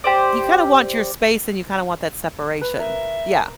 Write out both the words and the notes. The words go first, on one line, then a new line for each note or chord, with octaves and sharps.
you kinda want your space and you kinda want that separation, yeah.
G4 C5 D5
B4
A#4 E5